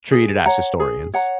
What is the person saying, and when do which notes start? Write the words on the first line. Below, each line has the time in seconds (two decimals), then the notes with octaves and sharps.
treated as historians.
0.12 G#4
0.45 C#5 F#5 A#5
0.80 G#4
1.14 C#5 F#5 A#5